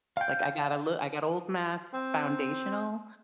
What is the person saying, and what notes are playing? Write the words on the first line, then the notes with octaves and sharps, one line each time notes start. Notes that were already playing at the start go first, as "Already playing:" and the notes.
like, "I got a li I got old math's foundational,
F5 G5
C4